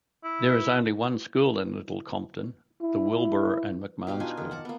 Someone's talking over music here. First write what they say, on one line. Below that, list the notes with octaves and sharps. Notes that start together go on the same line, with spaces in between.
There is only one school in Little Compton, the Wilbur and McMahon school.
E4
E4
B2 G4 F5
D4 D#4 F4 G#5
D#3 A#4
F#5 A5 D6
A#3 B3